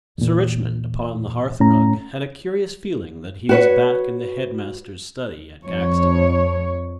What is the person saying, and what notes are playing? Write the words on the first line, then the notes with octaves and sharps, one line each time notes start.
Sir Richmond, upon the hearthrug, had a curious feeling that he was back in the head master's study at Caxton.
E2 A#2
A2 C#4 A#5
F#4 B4 C#5
F2 C#5